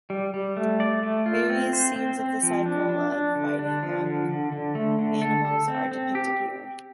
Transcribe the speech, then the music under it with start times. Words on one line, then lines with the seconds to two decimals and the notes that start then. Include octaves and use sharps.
Various scenes of the cycle of fighting of animals are depicted here.
0.10 G3
0.34 G3
0.57 A3
0.80 D5
1.03 A3
1.26 F4
1.50 C4
1.73 C5
1.96 C4
2.19 C4
2.43 F3
2.66 D4
2.89 D4
3.12 D4
3.35 D3
3.59 D4
3.83 F3
4.06 D3
4.29 D3
4.52 D3
4.75 A3
4.99 D3
5.22 A4
5.45 A4
5.68 C4
5.92 C4
6.15 G4